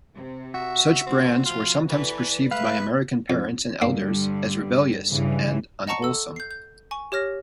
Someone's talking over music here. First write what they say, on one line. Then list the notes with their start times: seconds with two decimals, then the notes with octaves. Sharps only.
Such bands were sometimes perceived by American parents and elders as rebellious and unwholesome.
0.15 C3
0.54 F#4 E5
1.06 D2 C4 D4
1.45 C3 F3 F4
1.89 E3 A4 B4 D5
2.51 G#3 A3 B4 E5 F5
3.30 F2
3.82 G2 D3 G3 A#3 D4
5.10 G2 C#3 E3
5.87 D#5 F#5 A5 A#5 C#6 C#7
6.02 A4 E6
6.36 G6 C7
6.51 G6
6.91 G#5 C#6
7.12 G4 C#5 F6 A#6